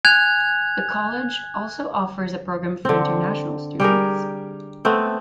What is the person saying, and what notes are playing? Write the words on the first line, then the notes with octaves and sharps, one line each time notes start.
The college also offers a program for international students.
G#5 F#6 G#6 F7
D3 C4
G3 G4 G#4 A#4
A3 B3 C4